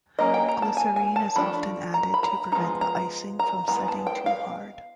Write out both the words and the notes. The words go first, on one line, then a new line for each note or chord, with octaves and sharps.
Glycerine is often added to prevent the icing from setting too hard.
F#3 A#3 C#4 D#5
G5
A#5
A5
G#5
G#5
A5
F3 A3 D4 B5
A#5
B5
A#5
F3 G#3 B3 D#4 A#5
A#5
A#5
E3 G#3 B3 A#5
A5
G5
F5